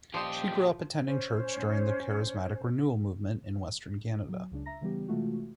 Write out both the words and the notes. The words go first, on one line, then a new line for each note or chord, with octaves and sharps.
She grew up attending church during the charismatic renewal movement in Western Canada.
A#2 F3 G4 C5 D5 D#5 C6
C#4 C5
F#3
C#2 C#3 D4
E5 A#5 A#6
C#3 E3 G3 B3 G4
C3 E3 G#3 A3 F4 F#4